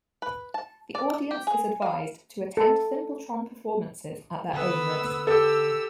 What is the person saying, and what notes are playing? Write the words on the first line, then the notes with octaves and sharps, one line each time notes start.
The audience is advised to attend Thimbletron performances at their own risk.
B4
A5
D5
G4
G#4
F5
A4
D3 B3 B4 E6
G4 A4 E6